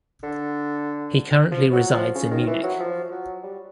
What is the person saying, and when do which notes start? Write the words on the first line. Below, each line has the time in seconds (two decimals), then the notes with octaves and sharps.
He currently resides in Munich.
0.23 D3
1.51 F3
1.73 F#3
1.94 F3
2.15 C#3
2.31 D#3
2.47 E3
2.63 F#3
2.80 F3
3.11 F#3
3.43 G3